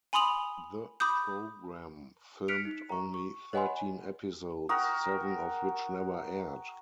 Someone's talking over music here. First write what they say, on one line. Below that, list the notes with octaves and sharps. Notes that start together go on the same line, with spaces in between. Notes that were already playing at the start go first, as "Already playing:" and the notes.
The program filmed only thirteen episodes, seven of which never aired.
G#5 B5 C6 D#6 F7 F#7
B5 D6 D#6 G6
F6 F#6 B6 C#7 D7 F7
D#4
A#5 C#6
C#6
C#5 D#5 F#5 G#5 B5 C6
F#4 A#4 G5 D#6